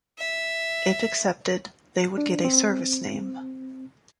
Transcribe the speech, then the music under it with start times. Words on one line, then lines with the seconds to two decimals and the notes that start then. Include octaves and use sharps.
If accepted they would get a service name.
0.19 E5
2.18 D4
2.45 C4